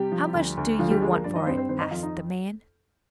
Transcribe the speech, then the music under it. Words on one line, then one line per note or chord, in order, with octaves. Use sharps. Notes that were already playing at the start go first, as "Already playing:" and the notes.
"How much do you want for it?" asked the man.
Already playing: C3 G3 G4
F3
D2
D2
D3 F3 F4
G3 G4
F3 G#3 G#4
A#3 A#4
G2 D4 D5
D#4 D#5
G2 C4 C5
C4 C5
D#3 C4 C5
D#4 D#5
F2 F4 F5
D#4 D#5